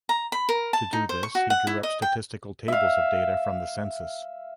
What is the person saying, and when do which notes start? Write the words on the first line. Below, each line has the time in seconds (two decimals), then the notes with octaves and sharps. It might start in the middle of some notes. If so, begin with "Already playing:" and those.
To do this, he drew up statistical tables of data from the census.
0.09 A#5
0.32 B5
0.49 A#4
0.73 A5
0.93 D#4
1.09 C5
1.23 C#6
1.35 F#4
1.50 F#5
1.67 E4
1.83 D#5
2.02 G5
2.68 E5 F5